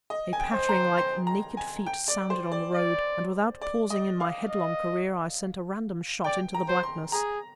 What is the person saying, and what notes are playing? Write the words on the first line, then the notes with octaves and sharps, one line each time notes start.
A pattering like naked feet sounded on the road, and, without pausing in my headlong career, I sent a random shot into the blackness.
D#5
G#5
G5
C5
A#5
C6
A#5
G#5
G5
D5
C5
D5
D5
D5
D#5
F5
D#5
D5 G5
A#5
C5
C6
G#4 A#5